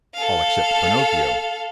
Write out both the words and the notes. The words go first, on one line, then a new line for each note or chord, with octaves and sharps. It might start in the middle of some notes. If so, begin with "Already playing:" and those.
All except Pinocchio.
A4 F5